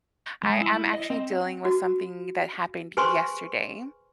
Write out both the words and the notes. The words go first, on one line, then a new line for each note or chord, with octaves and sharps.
I I'm actually dealing with something that happened yesterday.
G#3
E4
D#5
C4
F#4
G#4 B4 C5 G#5 C6 C#6